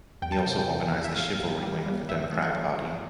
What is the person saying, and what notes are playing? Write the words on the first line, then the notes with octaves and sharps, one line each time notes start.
He also organized the "Chivalry" wing of the Democratic Party.
E2 G5
A5
G5
C3
G5
E2
E2
E5
A2 F5
A1
G3
G3
G1 E5
A3
F3
G1